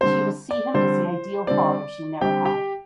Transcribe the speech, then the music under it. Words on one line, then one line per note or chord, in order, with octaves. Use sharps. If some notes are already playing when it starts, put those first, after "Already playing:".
She will see him as the ideal father she never had.
D3 G3 C4 C5
D5
D3 G3 C4 C5
D3 G3 C4 D5
D3 G3 C4 G4 G5
G4 G5